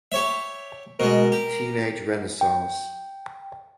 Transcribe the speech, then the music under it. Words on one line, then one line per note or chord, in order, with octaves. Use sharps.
Teenage Renaissance!
G4 C#5 E5
B2 G#3 A#4
G4
G5